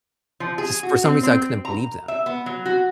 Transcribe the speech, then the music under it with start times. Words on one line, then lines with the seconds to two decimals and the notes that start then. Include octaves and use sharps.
Just for some reason I couldn't believe them.
0.40 F3
0.58 G#4
0.83 F#4
1.04 C4
1.23 C4
1.65 A#5
2.08 E5
2.26 B3
2.46 F#3
2.66 F#4